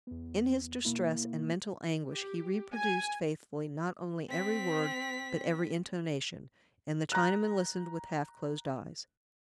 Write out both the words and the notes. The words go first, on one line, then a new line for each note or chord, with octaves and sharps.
In his distress and mental anguish he reproduced faithfully not only every word, but every intonation, and the Chinaman listened with half-closed eyes.
E2 B3
B2 A#3 E4
G4
G#5
C4 B6
A#5 F#6